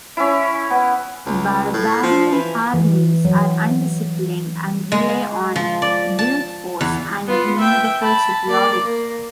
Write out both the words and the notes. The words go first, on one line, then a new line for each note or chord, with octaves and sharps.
Barbarian armies are undisciplined and rely on brute force and numerical superiority.
C#4 E4
B3
C#2
A2
F3
E3
E3
F#3
G#3
F3
D5
A5
E2
B3 F4
E5 G5
A5 B5
A#3 D5
A#3